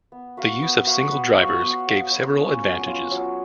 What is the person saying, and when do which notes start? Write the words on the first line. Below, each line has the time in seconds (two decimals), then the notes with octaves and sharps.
The use of single drivers gave several advantages.
0.12 B3
0.37 F#4 B4 F5
0.62 B3
0.87 F#4 B4 F5
1.12 B3
1.37 F#4 C#5 F5
1.61 B3
1.87 F#4 C#5 F5
2.11 F#3
2.36 C#4 F4
2.62 F#3
2.86 C#4 F4
3.11 F#3